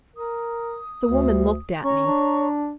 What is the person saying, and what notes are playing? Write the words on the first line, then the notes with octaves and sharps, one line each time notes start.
The woman looked at me.
A#4 D#6
D2
C#4 C#5 A#5 C#6
D4